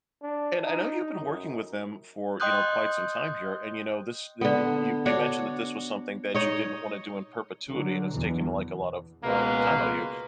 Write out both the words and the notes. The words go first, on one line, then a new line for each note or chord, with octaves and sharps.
and I know you've been working with them for, you know, quite some time here, and you know, this the uh you you mentioned that this was something that you didn't wanna do in perpetuity and it's taken, like, a lot of, uh, time out of you.
D4
D#4
F#2
D#5 G5 C6 D#6 F#6 G6
D3 B3
D4 F#4 C#5
D#4 C#5 D#5
D3 F#3
E2 B2 E3
C#2 B2 G#3 A#3 B4